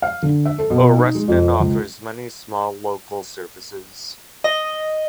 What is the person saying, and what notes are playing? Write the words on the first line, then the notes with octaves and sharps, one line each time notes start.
Oreston offers many small, local services.
F5
D3
E5
A4
B2
D#4
G#3
F2
C#2
D#5